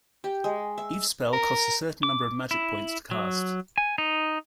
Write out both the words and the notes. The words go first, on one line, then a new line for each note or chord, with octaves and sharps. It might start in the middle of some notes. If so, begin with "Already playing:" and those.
Each spell costs a certain number of magic points to cast.
G4
G#3
E5
A#4
D6
E4
F#3
G#5
D#4